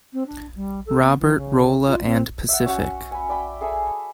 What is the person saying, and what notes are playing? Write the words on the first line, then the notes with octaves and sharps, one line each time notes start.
Robert, Rolla, and Pacific.
C4
D4
G3
A4
B3
E3
C#3
F4
C4
E5 F#5
C#4 F#4 F#5
G#5 B5
D5 G5 B5
G#4 A4 E5 G#5